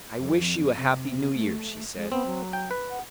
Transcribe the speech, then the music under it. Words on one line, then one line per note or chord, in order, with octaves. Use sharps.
"I wish you a happy New Year," she said.
F2
C3
A3
G#3
B3 C4
F#3
G5
B4
F#5